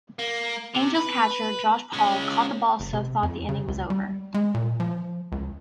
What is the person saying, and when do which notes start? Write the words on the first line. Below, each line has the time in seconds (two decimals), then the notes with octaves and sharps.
Angels catcher Josh Paul caught the ball so thought the inning was over.
0.19 A#3
0.74 C3
0.95 B4
1.93 G#3 C#4
2.80 F#1
2.93 C3
3.23 F2
3.49 C#3
3.68 C#2
3.90 G3
4.34 G#3
4.54 A#2
4.80 F3
5.32 C#2